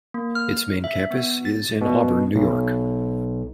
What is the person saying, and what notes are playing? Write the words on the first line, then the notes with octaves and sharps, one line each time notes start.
Its main campus is in Auburn, New York.
A#3
F6
E5
B3
A6
B2
B1